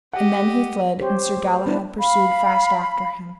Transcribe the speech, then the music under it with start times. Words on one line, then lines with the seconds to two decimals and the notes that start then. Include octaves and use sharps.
And then he fled, and Sir Galahad pursued fast after him.
0.13 G4 D#5 F#5
1.01 G4 C5 C#5
1.37 A3
1.66 B3 D4 E4 B4
1.98 F5 B5